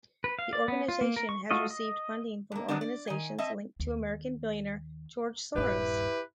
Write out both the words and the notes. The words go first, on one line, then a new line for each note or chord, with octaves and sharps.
The organization has received funding from organizations linked to American billionaire George Soros.
B4
F5
D5
B3
F4
A#3
A#4
C#6
A3 F4 F#4 D#5
D#5
G2 A#3
D#3 F#3 B3 C4 D4
D5
D#3 G#5
C4 D#5 E5 A5
D#2
D#1 G2 E4 G4 B4